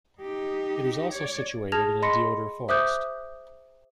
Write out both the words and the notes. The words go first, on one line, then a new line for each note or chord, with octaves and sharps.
It is also situated in a deodar forest.
D#4 G4
C#5 D5
G#4 A5 F6 G#6 A#6 F7
D#5 B5 C6 A#6 B6 C#7
C5 E5 D6 D#6 F#6 G6